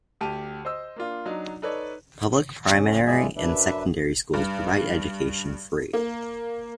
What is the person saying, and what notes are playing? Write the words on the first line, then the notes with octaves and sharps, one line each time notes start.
Public primary and secondary schools provide education free.
D2 G4 A5 D#7
C5 D#5 E6
A#3 D4 F4
F#3 D4 D#4
D#4 A4 B4 C#5 D5
C#4
F3 G#3 E4 G#4 D5 E5
F#2 D4 B4 E5
G2
A#3